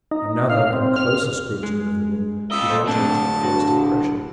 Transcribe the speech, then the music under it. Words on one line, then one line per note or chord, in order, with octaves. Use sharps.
Another and closer scrutiny of the room did not alter the first impression.
D#4
F5
C4
F6
G#3
F4 D#5 E5
A4 C5
A2 C4 D4 A5
F#4